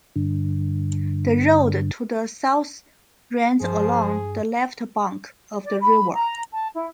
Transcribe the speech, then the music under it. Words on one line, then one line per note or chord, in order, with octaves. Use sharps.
The road to the south runs along the left bank of the river.
G2 D3
G2 F3 G#4
D5
B5
A#5
A5
E4